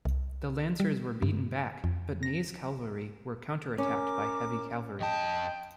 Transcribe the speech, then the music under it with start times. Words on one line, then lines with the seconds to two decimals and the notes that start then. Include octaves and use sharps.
The lancers were beaten back, but Ney's cavalry were counter-attacked by heavy cavalry.
0.05 C2
0.80 G3
1.22 G2
1.84 F2
2.23 A#6
3.78 C#4 A#4 D6
5.00 F2 D#5 G5 A5